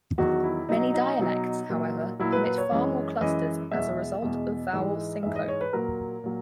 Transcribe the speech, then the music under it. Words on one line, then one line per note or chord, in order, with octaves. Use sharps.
Many dialects, however, permit far more clusters as a result of vowel syncope.
E2 D#3 F#3 F#4
E4
B2 F#3 D#4
D#4
B2 F#3
A#2 F#3
A#2 F#3 E4
B4
B4
C#5
F#2 E3 G#3
F#2 E3 G#3 D#5
E2 B2 G#3 E5
E2 B2 G#3
G#2 E3 G#3
G#2 E3 G#3 E5
D#5
C#5
B4
A#2 F#3 A#4
A#2 F#3